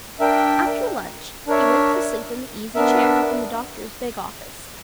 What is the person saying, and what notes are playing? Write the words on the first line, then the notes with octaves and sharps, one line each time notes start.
After lunch he went to sleep in the easy-chair in the doctor's big office.
D4 A#4 E5 G5
D4 A#4 C#5 E5
B3 D4 A#4 E5